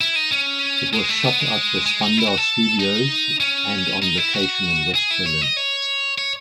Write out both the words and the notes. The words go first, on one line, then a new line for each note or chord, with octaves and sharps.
It was shot at the Spandau Studios and on location in West Berlin.
E4
D#4
C#4
G#3
A3
B3
G#3
G#3
D#4
E4
F#4
A4
D#4
C#4
D#4
E4
F#4
G#4
E4
C#5
D#5
C#5
C#5